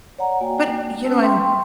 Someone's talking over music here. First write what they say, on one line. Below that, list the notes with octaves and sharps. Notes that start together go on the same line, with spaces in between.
But, you know, I'm
C#5 D5 F#5 A#5
A#3 F#4 D5 G5 G#5
C#4 B4 C5 A5 E6
G5 C6 C#6